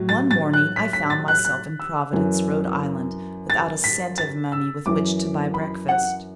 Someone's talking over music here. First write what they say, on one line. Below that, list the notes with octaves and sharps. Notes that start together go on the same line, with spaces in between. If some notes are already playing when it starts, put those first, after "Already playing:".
One morning I found myself in Providence, Rhode Island, without a cent of money with which to buy breakfast.
Already playing: A2 F#3
A6
A6
F#6
B6
B6
A6
F#6
F#6
E6
F#2 E3
A6
B6
A6
E6
F#2 E3 D6
B5
F#5